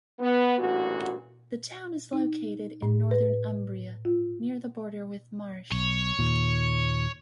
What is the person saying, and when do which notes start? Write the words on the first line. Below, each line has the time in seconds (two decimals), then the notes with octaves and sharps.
The town is located in northern Umbria, near the border with Marche.
0.20 B3
0.58 A1 G2 A#2 F#4
2.13 D#4
2.82 A2
3.11 B4
4.05 F4
5.72 B1 C#5
6.19 D#2 A#2